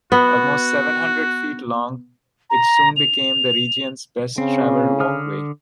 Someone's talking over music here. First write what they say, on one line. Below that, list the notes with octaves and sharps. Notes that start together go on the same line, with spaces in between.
Almost seven hundred feet long, it soon became the region's best-travelled walkway.
B3 F#4
A#5
F7
C#3 C4
D3 D#6 F6